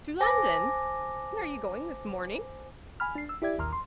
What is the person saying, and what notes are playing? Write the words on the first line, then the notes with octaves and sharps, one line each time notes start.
"To London!--and are you going this morning?"
C5 G#5 A5 D6 A#6
G#5 B5 F6
D4 C7
E6
E4 G4 D5 E5 G#6
A1 D#2 A#5 C6 F6
C6